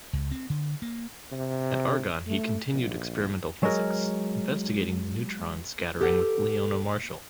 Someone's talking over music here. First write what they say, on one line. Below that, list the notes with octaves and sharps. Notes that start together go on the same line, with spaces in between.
At Argonne he continued experimental physics, investigating neutron scattering with Leona Marshall.
C#2
C4
D3
A#3
C3
A3
A#1
F#3 G#3 A#4
G4 A4 B4 F#5